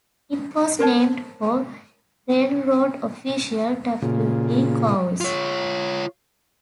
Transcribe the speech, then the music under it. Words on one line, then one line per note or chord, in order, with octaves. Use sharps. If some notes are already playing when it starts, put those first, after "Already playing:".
It was named for railroad official W. D. Cowles.
A#4 C5 C#5 A5
A#2 C#3
F4 C#5